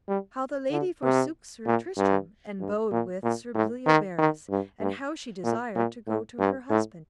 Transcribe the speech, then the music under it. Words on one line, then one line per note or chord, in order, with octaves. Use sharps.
How the lady forsook Sir Tristram and abode with Sir Bleoberis, and how she desired to go to her husband.
G3
D3
C3
A#2
G2
G2
A#2
A#2
A2
D#3
D#3
G2
G2
A#2
A#2
A2
G2
A2